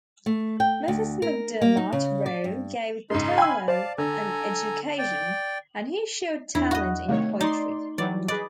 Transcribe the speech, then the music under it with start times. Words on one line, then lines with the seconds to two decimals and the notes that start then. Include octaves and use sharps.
Mrs. MacDermott Roe gave Turlough an education, and he showed talent in poetry.
0.26 A3
0.60 G5
0.88 D2
1.22 A#4
1.62 A#3
1.77 D#4
1.92 C#3
2.26 D5
2.44 G2
3.10 G#2 C#3 G#3 D#4 C6
3.38 F5 G5 G#5 B5 E6
3.68 C5 D5 F5 A5
3.98 D3 A4 G#5 A#5
4.98 D5 G5
6.55 E2 D4 E4
6.71 F#4 D#5
7.09 C3 D#3 A3 C#5
7.41 D#4 D5 C6
7.98 E3 F#3 G3 D5
8.28 G#4 B4 D5 D#5